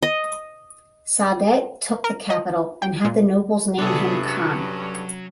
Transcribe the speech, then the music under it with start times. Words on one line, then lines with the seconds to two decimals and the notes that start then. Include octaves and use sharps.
Saadet took the capital and had the nobles name him khan.
0.02 D#5
2.04 A#4
2.30 D#5
2.82 G5
3.05 A#2
3.78 G2 C3 B3 D4 G#4 A4
4.27 F#3 C#4